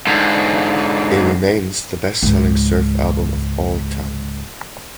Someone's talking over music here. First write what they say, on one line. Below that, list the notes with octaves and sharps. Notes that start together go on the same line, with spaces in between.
It remains the best selling surf album of all time.
G#2 D3
C#2 G#2